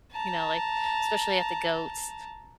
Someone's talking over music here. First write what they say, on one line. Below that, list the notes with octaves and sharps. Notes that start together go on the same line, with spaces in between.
you know, like, especially at the goats
A5 A#5